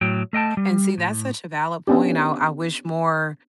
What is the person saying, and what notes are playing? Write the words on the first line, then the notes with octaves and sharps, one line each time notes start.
And see, that's such a valid point, and I I wish more
A2 F#3 G5
A3 D#5 G5 A5
G3
A2
B3 C#4 D4 G4